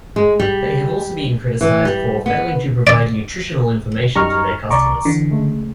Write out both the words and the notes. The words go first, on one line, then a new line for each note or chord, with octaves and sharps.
They have also been criticised for failing to provide nutritional information to their customers.
G#3
G3
E3
G3
B3
D5
F#2 G3 D#4 A#5 C#6 F6
C2 D5 A#5 C#6 D6
D3 E3
C#3 G#3 A3